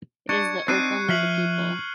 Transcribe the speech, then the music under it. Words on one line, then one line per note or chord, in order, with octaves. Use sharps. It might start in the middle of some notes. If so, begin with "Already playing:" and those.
It is the opium of the people.
D4 C#6 G#6 C#7
C4 D4 D#4 F#6 C7 D#7
F3 E5 F6 C7 F#7